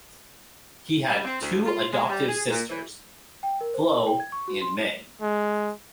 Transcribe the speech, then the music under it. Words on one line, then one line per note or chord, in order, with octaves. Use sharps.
He had two adoptive sisters, Flo and May.
G3
C4
D2
F4
G#3
G3
G#4
A#2
E3
G5
A#4
C5
A#4
G5
G#6
C#6
F#4
C6
G#3